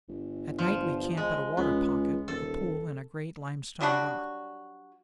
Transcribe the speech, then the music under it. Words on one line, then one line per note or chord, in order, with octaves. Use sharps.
At night we camp at a water pocket, a pool in a great limestone rock.
G1
F3
G#3
C#2 B3
D#1 A4
F#3 G3 D4 F#4